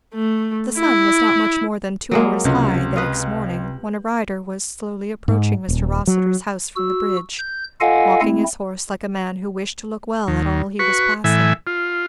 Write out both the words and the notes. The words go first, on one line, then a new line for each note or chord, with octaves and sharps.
The sun was not much more than two hours high the next morning when a rider was slowly approaching Mr. Rossitur's house from the bridge, walking his horse like a man who wished to look well at all he was passing.
A3
E4
F#3 G#3 A#3
C#2 C3
B4 D#5 F5
G#2
D#1
F#3
F#4 E6
G6
F4 A4 D#5 F5 F#5 G#5
A3 C4 E4
D#2
F#4 B4 C#6
A2 E3 E5 G#5
F4